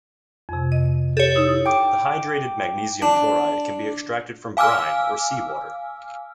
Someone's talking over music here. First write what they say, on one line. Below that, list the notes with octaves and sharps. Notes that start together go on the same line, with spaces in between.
The hydrated magnesium chloride can be extracted from brine or sea water.
F2 C3
D#5
G4 A4 C#5
D#4 E4 D#6
G5 D6
D4
F5 G#5 D6 E6 F6